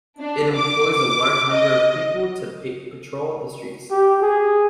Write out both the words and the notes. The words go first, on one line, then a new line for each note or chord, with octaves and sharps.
It employs a large number of people to patrol the streets.
D4
D6
D6
D#5
G4
G#4